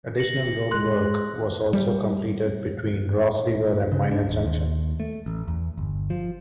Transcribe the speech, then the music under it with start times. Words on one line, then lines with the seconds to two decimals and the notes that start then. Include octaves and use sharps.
Additional road work was also completed between Ross River and Miner Junction.
0.18 A#6 C#7 F#7
0.71 G#3 C6 F#6
1.73 G3
3.92 C#3
4.11 D4
4.30 D#1
4.45 D#2
5.00 A3
5.26 A1
5.48 E2
5.78 G1
6.10 F3